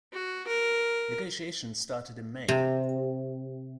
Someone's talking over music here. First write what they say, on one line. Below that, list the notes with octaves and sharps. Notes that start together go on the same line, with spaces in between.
Negotiations started in May.
F#4
A#4
C3